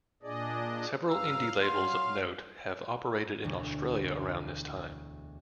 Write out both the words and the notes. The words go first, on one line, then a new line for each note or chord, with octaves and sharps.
Several indie labels of note have operated in Australia around this time.
A#2 D4 G#4 D5 D#5
G2 C#3 F5 A#5 E6
F#3 C6
E1 D2